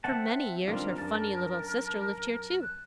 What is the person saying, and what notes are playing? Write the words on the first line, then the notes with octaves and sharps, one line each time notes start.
For many years her funny little sister lived here, too.
C4 E5 F#5 A5
G2 D#3 G3 C4 D4 F4 A#4
F#2 D4 A5
F#6